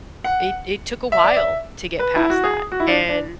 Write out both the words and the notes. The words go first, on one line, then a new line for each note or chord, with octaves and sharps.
it it took a while to get past that. And
F#5
E5
D5
E5
B4
E4
F#4
G#4
F#4
E4
D4
D4